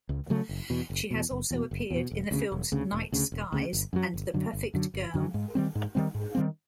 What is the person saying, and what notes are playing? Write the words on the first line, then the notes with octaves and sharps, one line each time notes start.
She has also appeared in the films "Night Skies", and "The Perfect Girl".
C#2
C#3 F#3 A3
F#1
E2 B2
F#1
E2 B2
F#1
E2 B2
F#1
E2
B2
E1
D2 C#3
E1
D2 C#3
E1
D2 C#3
E1
D2 C#3
G1
F#2 D3 F#3
G1
F#2 D3 F#3
G1
F#2 D3 F#3
G1
F#2 D3 F#3
G#2
D#3 G3 C4
G#2
D#3 G3 C4
G#2
D#3 G3 C4